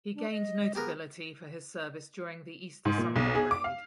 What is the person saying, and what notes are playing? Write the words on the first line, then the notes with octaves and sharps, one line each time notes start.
He gained notability for his service during the Easter Sunday Raid.
D4
D#5
B3 G4 G#4 A#4
G#2
A#2
B1
G#4
D6
F5